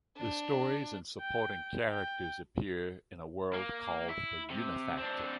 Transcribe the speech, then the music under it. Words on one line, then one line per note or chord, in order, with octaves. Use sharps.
The stories and supporting characters appear in a world called the Unifactor.
D4
G5
G5
A#3
E4
C3
C4 D4